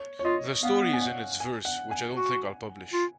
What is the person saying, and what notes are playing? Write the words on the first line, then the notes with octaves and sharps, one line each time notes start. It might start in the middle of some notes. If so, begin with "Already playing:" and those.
The story is in its verse, which I don't think I'll publish.
Already playing: C#5
C#5
F4 D#5
B3 F5
G#5
F#5
G#5
F#5
G#5
F#4
F4